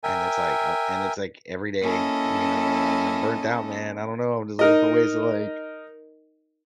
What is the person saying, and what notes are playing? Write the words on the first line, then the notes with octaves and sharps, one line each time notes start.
and it's, like, I and it's, like, every day, you know, and, I'm burnt out man, I don't know, I'm just looking for ways to, like,
A#4 E5 G5 G#5
A#3 C#4 E4 A4 D#5
D#4 A#4 D#5